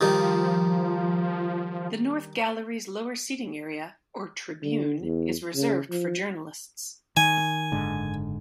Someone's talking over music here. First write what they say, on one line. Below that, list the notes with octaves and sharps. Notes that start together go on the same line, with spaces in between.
The north gallery's lower seating area, or tribune, is reserved for journalists.
D#3 F3 G3 D#4
D3
E2
C#3
F3
D#3 G#5
F#1 G#2 D3